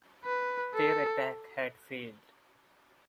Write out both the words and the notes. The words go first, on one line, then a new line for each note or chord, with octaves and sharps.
Their attack had failed.
B4
A4